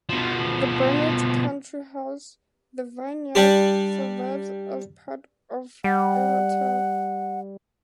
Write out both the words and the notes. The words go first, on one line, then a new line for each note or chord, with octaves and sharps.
The Barnards country house, The Vineyard, survives as part of a hotel.
B2 F3
G3 D4 G4
G3 F#5